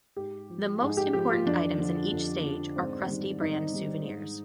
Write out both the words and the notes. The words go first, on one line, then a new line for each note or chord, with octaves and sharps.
The most important items in each stage are Krusty-brand souvenirs.
G#2 G4
F3
G#2 G#4
G4
F3 G4
F4
F2 D4
D3 F3
F2
D3 F3
G#2 C4
D#3 G3
G#2 D#4
D#3 G3
G#2